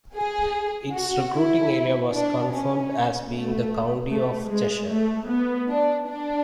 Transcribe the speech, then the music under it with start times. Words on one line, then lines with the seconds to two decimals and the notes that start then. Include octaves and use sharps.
Its recruiting area was confirmed as being the County of Cheshire.
0.15 G#4
0.94 F#4
1.34 E4
2.13 D4
2.52 C#4
3.31 A3
4.11 A3
4.49 G#3
4.89 A3
5.29 B3
5.69 D4
6.08 D4